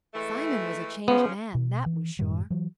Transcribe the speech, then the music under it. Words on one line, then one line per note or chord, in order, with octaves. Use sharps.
Simon was a changed man, that was sure.
E3 G#3 A3
C#3 F3 B3
B2
E3
F#2 A2 D#3 G3
E3 F#3